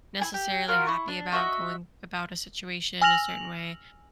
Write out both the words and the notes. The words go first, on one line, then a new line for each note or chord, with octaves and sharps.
necessarily happy about going about a situation a certain way,
E4 G#4 G#5
G4
F4 F#4 A#4 F6
E4 C#6
D4
F#4 D#5 E5 F#5
G#5 E6 F6 A#6 F7 F#7